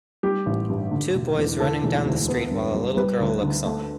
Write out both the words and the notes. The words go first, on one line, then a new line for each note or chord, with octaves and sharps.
Two boys running down the street while a little girl looks on.
G3 G4
A1
G2
D3
E1
E2
D3 A4
E1
D2
B3
G2
G3
G3 B4
D2
D3
A3